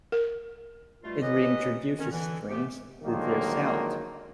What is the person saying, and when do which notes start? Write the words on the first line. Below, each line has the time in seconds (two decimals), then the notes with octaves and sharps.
It reintroduces strings to their sound.
0.12 A#4
1.04 G2 B2 G3 A3 F4
1.22 F#3 C#4 E4 G4 B4 D#5
1.99 D#3 C#4
2.11 D3 E3
2.48 C3 A3 B3 G4
3.03 D3 D#3 F3 F#3 G#3 A#3